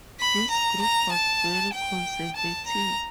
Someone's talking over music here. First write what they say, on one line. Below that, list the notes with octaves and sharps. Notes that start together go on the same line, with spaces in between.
This group was very conservative.
B5
A#5
A#5
A5
G5
A5
A#5